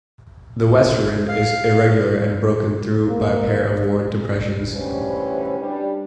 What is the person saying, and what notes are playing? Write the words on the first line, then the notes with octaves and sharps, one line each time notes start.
The west rim is irregular and broken through by a pair of worn depressions.
F5
A#3
D2 E3 G3 C#4 B4 C5
G3 D4